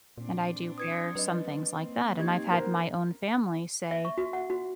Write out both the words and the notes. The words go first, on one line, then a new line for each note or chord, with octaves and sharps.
And I do wear some things like that. And I've had my own family say
A#2 C4 D4
D#6 G#6 C#7
F#3 B4 D#5
A#3 C4
D#4 G4 D#5 G#6
A#4 C5 F#5
E5
C#6
F#4
F#5
F#4